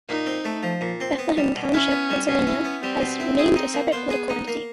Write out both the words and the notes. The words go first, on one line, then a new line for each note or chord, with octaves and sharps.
Bethlehem Township, Pennsylvania has remained a separate political entity.
A#2 D#4
C4
A3
F3
A#2
C4
B3
G3
B2
C#4 E4
B3
G3
B2 C#4
E4
B3
G3 C4
B2
E4
G#4
D#4
A#3
B3 C5
G#4
D#4
A#3